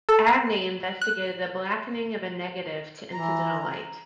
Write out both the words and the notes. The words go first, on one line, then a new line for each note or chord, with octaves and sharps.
Abney investigated the blackening of a negative to incidental light.
A4
F#6
E3 A#5